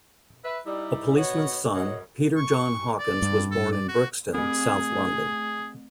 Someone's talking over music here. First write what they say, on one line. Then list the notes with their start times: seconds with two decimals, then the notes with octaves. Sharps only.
A policeman's son, Peter John Hawkins was born in Brixton, south London.
0.44 B4 E5
0.66 G3 D#4 E4
1.17 B3 D#4 F#4 C#5
1.74 F#2 G#3 F#4 B4 C#5 D#5
2.37 C#6
2.99 D5
3.22 G2
3.51 A4
3.72 D5
3.89 F#4
4.34 A3 C4 G#4